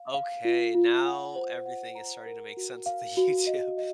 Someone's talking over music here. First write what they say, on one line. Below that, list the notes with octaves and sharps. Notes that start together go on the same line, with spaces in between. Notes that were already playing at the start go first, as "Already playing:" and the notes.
Okay, now everything is starting to make sense to YouTube.
Already playing: F5
F5
F4
F4
F#5
C5
F#5
A#5
A#4
F#4
F5
F#4
D#5
D#5